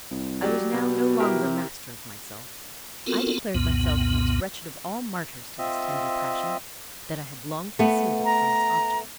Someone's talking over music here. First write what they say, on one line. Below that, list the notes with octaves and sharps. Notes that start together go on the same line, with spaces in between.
I was now no longer master of myself; I declared myself the most wretched of all martyrs to this tender passion; that I had long concealed it from its object.
C2
F#3 G4 D5
B2
E4 G4 A#4
C3
B3 C4 F4 F#4 A4 A#4
C2 F2 A#2 B3
C4 F4 D#5 E5
A3 B3
A#5